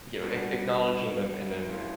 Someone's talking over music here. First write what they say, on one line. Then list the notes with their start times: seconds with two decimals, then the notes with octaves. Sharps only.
you know, ac acknowledging them and then
0.22 G3 B3 D4 F#4
1.67 E3 A3 C#4 F4